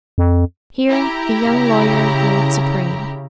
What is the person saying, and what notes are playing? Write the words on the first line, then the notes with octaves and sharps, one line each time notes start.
Here the young lawyer ruled supreme.
F2
E4 G4 A#5
C#3